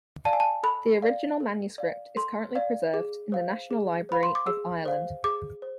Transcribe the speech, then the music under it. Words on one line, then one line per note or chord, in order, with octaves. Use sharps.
The original manuscript is currently preserved in the National Library of Ireland.
D5 F5 A5
G#5
A5
A4 B5
D5 F5
A4
D5 F5
A4 C6
D5 F5
G#4
C5 F5
G#4
C5 F5 B5
C6
D6
G#4 E6
C5 F5
G#4 D6
C5